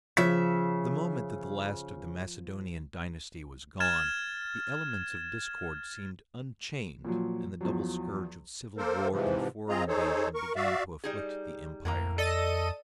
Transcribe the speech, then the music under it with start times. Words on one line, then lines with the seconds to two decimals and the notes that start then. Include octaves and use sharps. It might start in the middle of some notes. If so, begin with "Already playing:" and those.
The moment that the last of the Macedonian dynasty was gone, the elements of discord seemed unchained, and the double scourge of civil war and foreign invasion began to afflict the empire.
0.17 C#3 F3 E5 B6
3.80 F6 G#6 A6 E7
7.05 A#2 F3 F#3
7.61 E2 F3 F#3
8.78 A#3 A4 A#4 C5
9.11 G#2 C3 E3 F3
9.69 C4 F4 G#4 D#5 A#5
9.88 D#4 G#4 A4 C5 C#5
10.35 A#4 C#6
10.56 F#4 D5 E5 F5
11.04 G3 D#4 G#4
11.85 F2 A2 A#3 A#5
12.18 A4 D5 D#5 D#7